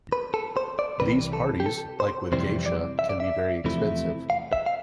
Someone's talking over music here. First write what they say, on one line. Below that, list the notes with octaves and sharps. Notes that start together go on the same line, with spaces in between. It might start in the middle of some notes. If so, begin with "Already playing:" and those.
These parties, like with geisha, can be very expensive.
B4
A4
C5
D5
C2 C3 E3 B4
A4
G4
A4
C5
F2 C3 E3 G3 C5
D5
E5
D5
E5
E2 C3 F3 A3 E4
F5
E5
F5